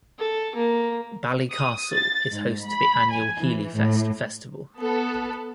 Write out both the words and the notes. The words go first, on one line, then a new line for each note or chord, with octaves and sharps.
Ballycastle is host to the annual Healyfest festival.
A4
A#3
D#6
A6
G#2
B5
G#5
E3
A2
B3 A4